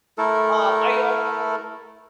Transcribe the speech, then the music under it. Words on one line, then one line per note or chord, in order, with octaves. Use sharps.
Um, are you also doing
A3 E4 A4 A#4